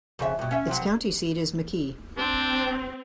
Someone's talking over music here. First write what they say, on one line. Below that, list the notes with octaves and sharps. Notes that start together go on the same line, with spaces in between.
Its county seat is McKee.
F2 C#3 E5
G2 B2
C#4 E5
C3 F3 F#3
C4 D4